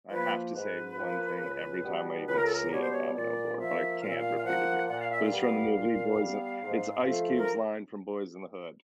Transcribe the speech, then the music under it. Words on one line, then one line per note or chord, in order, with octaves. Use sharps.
I have to say one thing every time I even see a domino board, but I can't repeat it here. But it's from the movie Boyz n it's Ice Cube's line from Boyz n the Hood
F3 A#3 B4
G#2 B4
F3 A#3
C#2
B2 G3 B3
C#2 B4
A#4
A4
A#4
B2 G3 B3 C#5
C5
C#5
A#2 D5
F3 A#3 E5
A#2 F5
E5
F5
F5
F3 A#3 F#5
A#2 F#5
F5
E5
F5
G3 B3
A#2
G3 B3
G#2
F3 A3
A#4